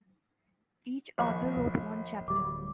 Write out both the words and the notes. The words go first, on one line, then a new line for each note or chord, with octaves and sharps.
Each author wrote one chapter.
A#1 D#2 C#6
D1 G3 D6